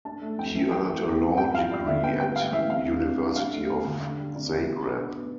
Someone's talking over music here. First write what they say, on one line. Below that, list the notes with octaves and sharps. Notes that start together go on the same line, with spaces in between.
He earned a law degree at University of Zagreb.
D4 A5
A3
F2 G5
E3
G3 G5
E3
E2
C3
G2 G5
F3 F5
G2 D5
D3 E5
B3 G5
G3 G5
G2 F5
E3 E5
C3 F5
D4
C3
G3
D4 F5
A3
E2
D3
D4 F5
G3
C3 D5
E3
B2
D4
B2
B3